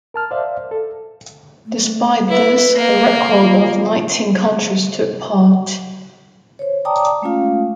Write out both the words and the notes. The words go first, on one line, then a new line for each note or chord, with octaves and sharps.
Despite this, a record of nineteen countries took part.
A#4 A5 F6
C5 D5 E5 F5
A4
A3
E4 B4
A#3
F4
C5 C#5
D5 G5 A5 A#5 D6 D#6
G#3 A3 C#4 F4 F5